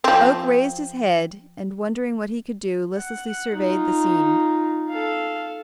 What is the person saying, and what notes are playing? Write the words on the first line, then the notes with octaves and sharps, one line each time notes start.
Oak raised his head, and wondering what he could do, listlessly surveyed the scene.
F3 C4
F#5
D#4 F4
A4 F5